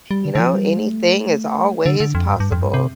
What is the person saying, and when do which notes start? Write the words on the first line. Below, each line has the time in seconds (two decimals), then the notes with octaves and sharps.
you know, anything is always possible.
0.11 G3
0.25 D3
0.35 D3
0.40 F3
0.54 G3
0.76 A3
1.86 D3
2.00 D3
2.15 F2
2.29 G2
2.40 G2
2.52 F2
2.63 G2
2.74 C3